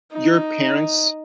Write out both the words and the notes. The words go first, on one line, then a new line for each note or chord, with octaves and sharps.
your parents
D#4